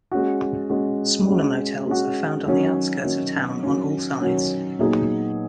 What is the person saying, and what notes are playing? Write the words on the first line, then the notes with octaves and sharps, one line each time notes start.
Smaller motels are found on the outskirts of town on all sides.
G#3 C#4 F#4
G#3 C#4 F#4
G#3 C#4 F#4
G#3 C#4 F#4
D#3 F#3 C#4
D#3 F#3 C#4
D#3 F#3 C#4
D#3 F#3 C#4
A#2 F#3 B3 D#4 G#4